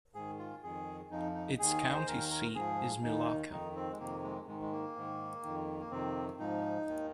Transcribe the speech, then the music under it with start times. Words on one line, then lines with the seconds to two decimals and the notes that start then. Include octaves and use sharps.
Its county seat is Milaca.
0.14 G#2 D#3 G#4
0.39 F4
0.63 F2 D#3 G#4
1.11 F2 F3 D#4
1.35 D#4
1.59 D#2 D#3 G#4
1.81 D#5
1.94 C5
2.07 D#2 D#3 A#4
2.31 A#4
2.55 G#2 F3 G#4
3.03 D#2 D#3 D#4
3.51 F2 D#3 D#4
3.75 C4
3.92 G#3
3.99 F2 C3 D#3 A#3
4.23 G#3
4.47 G#2 D#3 G#3
4.61 G#3
4.71 A#3
4.96 G#2 D#3
5.43 F2 D#3
5.80 A#3
5.91 F2 C3 D#3 C4
6.39 G#2 F3 D#4
6.87 D#2 D#3